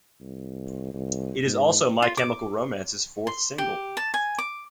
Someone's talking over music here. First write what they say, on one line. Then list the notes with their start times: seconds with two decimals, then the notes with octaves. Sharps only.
It is also My Chemical Romance's fourth single.
0.20 C2
0.94 C2
1.46 G#2
2.02 F4
2.17 D6
3.27 C6
3.58 G4
3.97 A5
4.14 G#5
4.38 D6